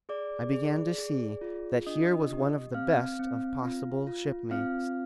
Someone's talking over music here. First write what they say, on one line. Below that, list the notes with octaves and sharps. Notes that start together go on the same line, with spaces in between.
I began to see that here was one of the best of possible shipmates.
G#4 D5 D6
G#4
G#4
F4
D4 D#5 D#6
G4
C4 F5 F6
C4
F4
F4
C4 F5 F6